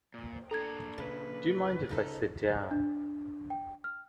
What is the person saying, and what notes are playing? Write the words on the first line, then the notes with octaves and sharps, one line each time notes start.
Do you mind if I sit down?
A#2
A#2 D4 A4 A#5 G#6
C#3 B4
C#3 D#4 A4
D4
G5
F6